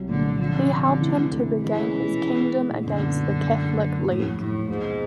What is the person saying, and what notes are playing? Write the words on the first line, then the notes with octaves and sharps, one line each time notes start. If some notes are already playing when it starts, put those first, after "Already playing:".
He helped him to regain his kingdom against the Catholic League.
Already playing: C2 F#3
A#2 D3
A#2
D3 F3
C3
C#4
C3
E3
E3
D2
D2
E3 G#3
C#4
B2
G#3
B3
B3
G#3
A#2
F#2 D3
B3
F#3
F#2
F#3
A#3
F#3
A#3
A2 F3
D#2
D#2 A2
D#2
G#2 F4
B2